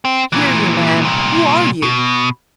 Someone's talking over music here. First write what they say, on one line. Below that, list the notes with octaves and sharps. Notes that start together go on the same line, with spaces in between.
Here, you man, who are you?
C4
A#2 E3
C2 A#2
B2